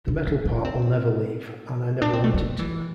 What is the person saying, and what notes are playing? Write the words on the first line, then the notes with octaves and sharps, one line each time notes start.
The metal part will never leave, and I never want it to.
D4
D4
D4
C4
D4
C4
A3
G3
E3